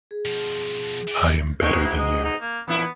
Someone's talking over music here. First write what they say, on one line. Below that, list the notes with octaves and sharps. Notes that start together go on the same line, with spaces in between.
I am better than you.
G#4
B2 F3
E3 D5
G#2 B2 G#3 C#5
E4
D#5
D#4
A#3
E2 A#2 B3 E4